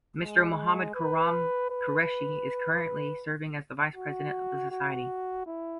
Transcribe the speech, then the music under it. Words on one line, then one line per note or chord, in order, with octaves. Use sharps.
Mr Mohammad Khurram Qureshi is currently serving as the Vice President of the society.
G#3
B4
B4
F#4
F#4
E4